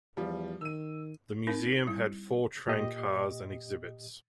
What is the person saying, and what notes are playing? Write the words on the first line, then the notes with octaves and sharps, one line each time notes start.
The museum had four train cars and exhibits.
E2 F3 G3
D#3 E6 D#7
C4 D#4 A#4
G3 E4
A#2 G4 D#5